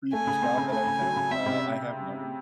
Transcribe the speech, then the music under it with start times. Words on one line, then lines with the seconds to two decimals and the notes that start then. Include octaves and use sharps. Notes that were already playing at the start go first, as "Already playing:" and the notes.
previous job that I've had, uh, I have learned
0.12 A3 G#5
0.27 C#3
0.42 C4
0.58 C#3
0.71 A3 G#5
0.87 C#3
1.01 F#3
1.16 C#3
1.31 C4 E5
1.46 C3